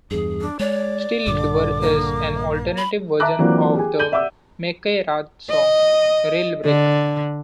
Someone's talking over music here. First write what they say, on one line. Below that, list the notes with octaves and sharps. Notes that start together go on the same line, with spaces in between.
"Steel River" is an alternate version of the Mickey Ratt song "Railbreak".
E2 G2 G#4
D4
G#3 C#5 D5
A#1 G2 D3 D6
A#3
B5
E5 A5 A#5 D6 F#6
E3 F#3 A#3 C4 D4 F4
G4 G#4 G#5
G6 D#7 F#7 G7
D5 E5 F#5 D6 E6
D#5
D3